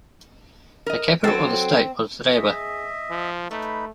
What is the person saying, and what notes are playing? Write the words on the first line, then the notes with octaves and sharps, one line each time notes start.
The capital of the state was Rewa.
A#4 D#5
F#3 C4 A4
G#4 D#5 E5
F3
A3 D#4 B4 B5